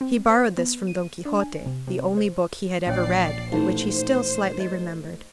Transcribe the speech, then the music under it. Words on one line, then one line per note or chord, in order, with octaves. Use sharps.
He borrowed this from "Don Quixote," the only book he had ever read, but which he still slightly remembered.
C4
C5
B3
D#7
D4
G#5
C3
C3
C5
A#1 C#5 D5 G5 C7
A1 D#4 C5
D#5